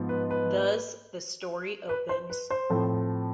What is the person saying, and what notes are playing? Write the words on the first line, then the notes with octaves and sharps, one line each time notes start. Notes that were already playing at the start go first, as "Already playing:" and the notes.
Thus, the story opens.
Already playing: G#2 F3 B3
B4
B4
B4
C5
B4
C5
A2 F3 A3 C4